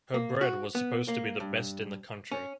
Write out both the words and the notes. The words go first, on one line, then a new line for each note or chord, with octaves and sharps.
Her bread was supposed to be the best in the country.
A#3
F#4
B3
A#3
G2
C#4